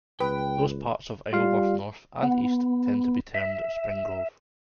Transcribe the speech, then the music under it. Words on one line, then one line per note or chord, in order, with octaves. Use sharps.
Those parts of Isleworth north and east tend to be termed Spring Grove.
C#2 B4 G5
G3 F4 F5
B3
E5